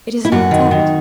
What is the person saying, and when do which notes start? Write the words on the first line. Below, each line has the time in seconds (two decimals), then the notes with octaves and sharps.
"It is not that."
0.25 E4
0.32 F#2 F#4
0.51 D#3
0.71 D#3